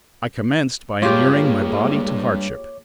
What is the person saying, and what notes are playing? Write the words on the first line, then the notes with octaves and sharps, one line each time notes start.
I commenced by inuring my body to hardship.
G2 G#3 A#3 F4 G4 C#5 D6